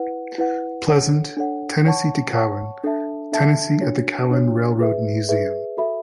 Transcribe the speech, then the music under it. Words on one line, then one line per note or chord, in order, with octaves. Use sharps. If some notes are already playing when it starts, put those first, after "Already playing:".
Pleasant, Tennessee to Cowan, Tennessee at the Cowan Railroad Museum.
Already playing: E4 B4 F#5
E4 B4 F#5
D4 A4 C#5 F#5
D4 A4 C#5 F#5
C#5 F#5 A5 C#6
C#5 F#5 A5 C#6
D4 A4 E5 A5
D4 A4 E5 A5
D4 F#4 C#5
D4 F#4 C#5
G#4 B4 E5
G#4 B4 E5
F#4 A4 E5 B5